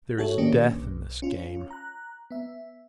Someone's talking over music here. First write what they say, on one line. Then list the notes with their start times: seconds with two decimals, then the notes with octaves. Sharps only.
There is death in this game.
0.18 F#4 G#4 A4 C#5 E5
0.38 A2 D#3 A#3 C#4 D4 G4
0.74 B1
1.22 C#4 F4
1.71 A#5 F#6
2.31 B3 E5